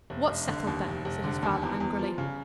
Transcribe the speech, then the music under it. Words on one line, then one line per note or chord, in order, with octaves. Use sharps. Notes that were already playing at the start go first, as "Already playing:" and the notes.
"What's settled, then?" said his father, angrily.
F1
F1
D3
D#2
F1
F1
D3
D#2
E2
E2
F3
C#3